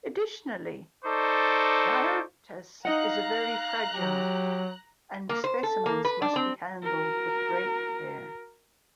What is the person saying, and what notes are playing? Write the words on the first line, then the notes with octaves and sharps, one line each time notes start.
Additionally, dioptase is very fragile and specimens must be handled with great care.
D#4 A4 C5 D5 C#6 D6
D#4 D#5 F5 F#5 A#5 F#6
F#3 G4
A#3
C5
A4
A#3
B4
D4
C4
F#4 A#4